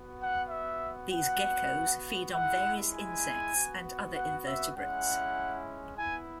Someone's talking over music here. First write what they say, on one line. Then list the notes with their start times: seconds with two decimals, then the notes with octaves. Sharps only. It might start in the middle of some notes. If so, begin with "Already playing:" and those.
These geckos feed on various insects and other invertebrates.
Already playing: B3 F#4
0.20 F#5
0.50 E5
1.11 B3 F#4 F#5
2.32 G#3 E4 F#5
2.92 G#5
3.53 B3 F#4
4.15 F#5
4.45 E5
4.75 G#3 C#4 E4 F#5
5.96 B3 E4 G#5